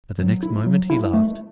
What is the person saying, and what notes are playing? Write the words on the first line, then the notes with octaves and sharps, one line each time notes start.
But the next moment he laughed.
F#3
E4
F#3
E4
A3